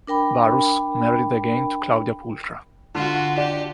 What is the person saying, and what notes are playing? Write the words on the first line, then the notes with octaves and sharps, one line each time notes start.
Varus married again to Claudia Pulchra.
D4 A#4 G5 B5
D3 F4 F#4
D4 G4